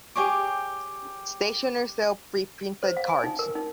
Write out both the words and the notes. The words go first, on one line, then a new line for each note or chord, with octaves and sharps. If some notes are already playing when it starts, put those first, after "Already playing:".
Stationers sell preprinted cards.
G4 G#4 C#5 D6
C5
F5
G#5
D#4
A#4
D#4